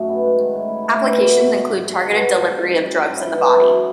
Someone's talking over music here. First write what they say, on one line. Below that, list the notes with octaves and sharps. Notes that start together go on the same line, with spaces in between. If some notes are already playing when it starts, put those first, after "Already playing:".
Applications include targeted delivery of drugs in the body.
Already playing: F#2 A3 D#4 A4
B3
G#3
D#3
A2
E4
A3
E3
B2
F#4
D#4
G#3
G#2
F#4
B3
F#3
G#2
G#2
C#4
F#3
G#2
E4
B3
E3
F#3
F#3